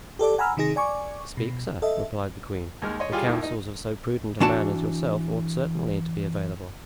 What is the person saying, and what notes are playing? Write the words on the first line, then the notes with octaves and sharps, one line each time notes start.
"Speak, sir," replied the queen; "the counsels of so prudent a man as yourself ought certainly to be available."
G4 A4 D5 D6
F#5 G#5 A#5 B5 E6 F6
C3 D#3 D#4 G#4 A#6
D5 G#5 C#6 D6
B2
A4 D#5 E5
D#2 G#3 F6
C#5 D#5 C6
G3 F4 G4 G#4
D#2 A2 D#3
D#4
E3 D4 F#4 A5